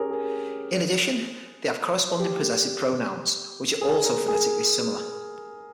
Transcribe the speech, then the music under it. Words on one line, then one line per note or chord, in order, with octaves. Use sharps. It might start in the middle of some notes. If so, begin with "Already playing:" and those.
In addition, they have corresponding possessive pronouns, which are also phonetically similar.
Already playing: C#4 G4 G#4 A#4
G#4
G4
G#4
A#4
G#4